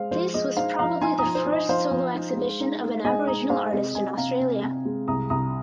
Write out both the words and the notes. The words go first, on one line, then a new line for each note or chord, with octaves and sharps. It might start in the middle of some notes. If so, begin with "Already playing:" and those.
This was probably the first solo exhibition of an Aboriginal artist in Australia.
Already playing: G#3 C5 F5
F3 C5
G#3 D#5
D#4 C5 F5
F3 F5 A#5
D#4 G#5 C6
A#5 D#6
F3
C5
D#4
D#5
F3 C5 F5
F3
D#4
G#3
D#4
D#4
G#3 D#5 G#5
D#4 A#5 D#6
G#3 C5 F5
C3 D#5
C3 D#5 G#5
C3 F5 A#5
C3
C3
G#3
C2 A#5 D#6
C2 A#5 D#6